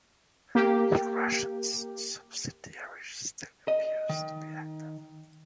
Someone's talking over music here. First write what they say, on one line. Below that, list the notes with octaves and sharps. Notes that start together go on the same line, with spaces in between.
The Russian subsidiary still appears to be active.
A#3 G4
D#5
D#3